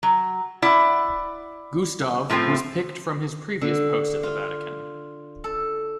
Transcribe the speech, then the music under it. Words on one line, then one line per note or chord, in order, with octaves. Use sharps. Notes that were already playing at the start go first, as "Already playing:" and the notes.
Gustav was picked from his previous post at the Vatican.
F#3
E4 D5 F#5
A2 F3 A3 C4
D3
F4
A4